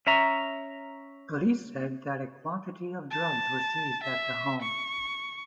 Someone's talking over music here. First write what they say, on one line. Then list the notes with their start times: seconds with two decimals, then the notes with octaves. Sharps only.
Police said that a quantity of drugs were seized at the home.
0.07 C#4 E5 A#5
3.11 A5
4.03 E5
4.62 C#6